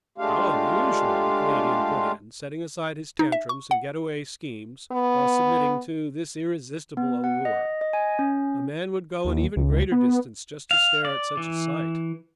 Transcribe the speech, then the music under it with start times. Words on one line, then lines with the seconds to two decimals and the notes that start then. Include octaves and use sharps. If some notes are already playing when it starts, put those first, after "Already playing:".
"How unusual!" the Canadian put in, setting aside his tantrums and getaway schemes while submitting to this irresistible allure. "A man would go an even greater distance just to stare at such a sight!"
0.18 G#3 A3 D4 F4 G4 F5
3.19 D#4
3.32 E5
3.49 C#6
3.71 F#5
4.92 B3
6.97 B3
7.24 F#5
7.45 D#5
7.81 D#5
7.93 G#5
8.19 C#4
9.25 D#2
9.56 C#2
9.92 B3
10.71 F5
11.05 D5
11.37 E3